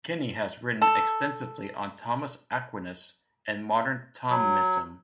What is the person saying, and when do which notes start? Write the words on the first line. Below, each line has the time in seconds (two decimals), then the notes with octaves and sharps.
Kenny has written extensively on Thomas Aquinas and modern Thomism.
0.82 A4
4.31 F#3